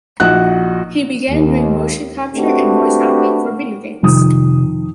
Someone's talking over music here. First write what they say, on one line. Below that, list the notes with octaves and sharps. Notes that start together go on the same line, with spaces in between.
He began doing motion capture and voice acting for video games.
A#1 D#4 F#4 F#6
D#2
A3 C4 D4 F#4 G4 B4
F2 C3 D#3 D#6